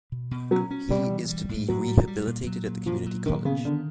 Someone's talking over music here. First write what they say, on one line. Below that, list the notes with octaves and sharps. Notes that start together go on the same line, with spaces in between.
He is to be rehabilitated at the community college.
B2
B2
F#3 C#4
C#4
B2 G3
E3
G3
A2
A2 F#3
G3
G3
A#2
F#3
A#2
A#2 F3
F#3
A#2 D#3
C#3 B3
D3 D#3